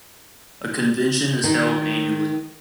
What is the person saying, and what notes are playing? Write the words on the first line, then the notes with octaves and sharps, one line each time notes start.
A convention is held annually.
D#3